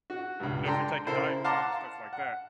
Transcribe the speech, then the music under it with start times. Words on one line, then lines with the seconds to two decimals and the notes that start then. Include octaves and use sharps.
you know, if you're taking diet pills and stuff like that.
0.10 F#4
0.40 C#2 G2
0.64 D4 A4 G5 A#5 C6
1.07 C#3 E4 A4 A#4 C5
1.44 F5 F#5 A5 A#5 C6 D6
2.13 F#5